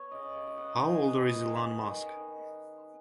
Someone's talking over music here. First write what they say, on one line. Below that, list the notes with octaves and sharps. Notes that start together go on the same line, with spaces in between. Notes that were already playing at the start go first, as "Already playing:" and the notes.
How older is Elon Musk?
Already playing: B3 B4 C#5
C#3 D#5
C#3
D#5
B3 F#5
D#4
B3 B4
G#4
B3 B4
D#5
B3
G#5
D#3 F#5
D#3
D#3
D#3